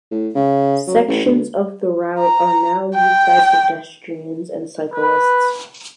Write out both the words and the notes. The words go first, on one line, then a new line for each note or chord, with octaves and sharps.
Sections of the route are now used by pedestrians and cyclists.
A2
C#3
F#3
A1
D2
A#5
G5
B4